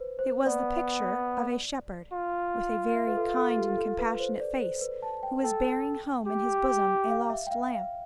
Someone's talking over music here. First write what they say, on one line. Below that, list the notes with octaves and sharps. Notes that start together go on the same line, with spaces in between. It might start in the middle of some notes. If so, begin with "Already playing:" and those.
It was the picture of a shepherd, with a very kind and compassionate face, who was bearing home in his bosom a lost lamb.
Already playing: B4 C5
C5
B3 D5
F4
E5
B4
A4
A4
G4
A4
B4
C5
D5
C5
B4
A5
G5
A4 G5
G4
F5
E5
G5
F5
F5